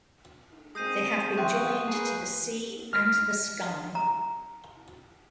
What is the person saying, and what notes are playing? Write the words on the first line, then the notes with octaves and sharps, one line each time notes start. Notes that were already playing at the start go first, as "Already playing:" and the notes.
They have been joined to the sea, and the sky.
G#3 C4 D#6 G6 D#7
E5 G5 C6 C#6 F#6
A#3 G#4 B4
F6 B6 D7
A#5